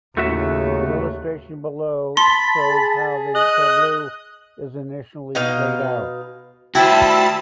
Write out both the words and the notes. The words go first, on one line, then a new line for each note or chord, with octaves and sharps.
The illustration below shows how the tableau is initially laid out.
D#2 A2 C#3 A3 F#4 E5
A5 B5 C6
G#4
D#5 F#6
B2 D#4 F5
E4 F#4 G4 C5 E5 A5 B5 E6